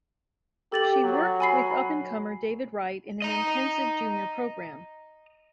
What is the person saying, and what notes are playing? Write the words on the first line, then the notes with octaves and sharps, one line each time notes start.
She worked with up and comer David Wright in an intensive Junior Program.
G4 A4 A6 F#7
F#3
G#5 B5 C7
D#5 A#5